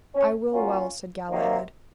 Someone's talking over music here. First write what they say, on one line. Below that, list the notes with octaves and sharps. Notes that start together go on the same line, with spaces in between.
I will well, said Galahad.
C#4
A#2 F#3 A#3 C#4 F4
C3 D#3 F#3 A#3